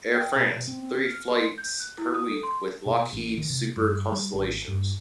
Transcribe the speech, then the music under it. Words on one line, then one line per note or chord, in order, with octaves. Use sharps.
Air France - three flights per week, with Lockheed Super Constellations.
G5
B2
B2
C4
C4
F6
C6
G6
F#6
E4
D#6
A4
C6
B2
A1
D#3
C3
G2
G3
G#1
G2